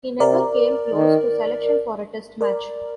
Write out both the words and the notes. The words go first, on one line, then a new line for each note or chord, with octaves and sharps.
He never came close to selection for a Test match.
C3 A#4 D5
D#3
A#4 D5